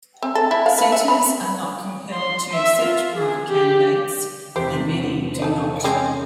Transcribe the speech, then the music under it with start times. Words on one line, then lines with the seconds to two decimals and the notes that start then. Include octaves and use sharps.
Centres are not compelled to accept private candidates, and many do not.
0.22 C4
0.35 A4
0.51 E4
0.66 F5
0.78 B4
0.92 E5
1.08 B5
2.13 C6
2.53 E5
2.82 F4
3.16 G#4
3.48 G4
4.56 E2 C3 G4 C5
5.42 D#4 A4
5.84 G#3 C4 C#4